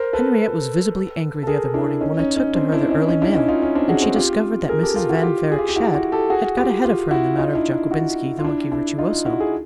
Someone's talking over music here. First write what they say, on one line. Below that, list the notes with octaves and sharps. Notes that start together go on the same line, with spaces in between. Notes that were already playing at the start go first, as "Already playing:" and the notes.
Henriette was visibly angry the other morning when I took to her the early mail and she discovered that Mrs. Van Varick Shadd had got ahead of her in the matter of Jockobinski, the monkey virtuoso.
Already playing: A#4 C5
A4 B4
A4
G#4 A#4
D4 E4
C#4 D#4
C#4 D#4
C#4 D#4
C4 D4
D4 E4
C#4 D#4
C#4 D#4
D4 E4
C#4 D#4
D#4 F4
C#4
C4 D4
F#4 G#4
C4 D4
F4 G4
G#4 A#4
G4 A4
F4 G4
E4 F#4
F4 G4
G#4
F4 G4
G4
E4 F#4
E4 F#4
G4 A4
F#4 G#4
F4 G4
F4 G4
E4 F#4
D#4 F4
D4 E4
E4 F#4
F4
D4 E4
D4 E4
D#4 F4
E4 F#4
G#4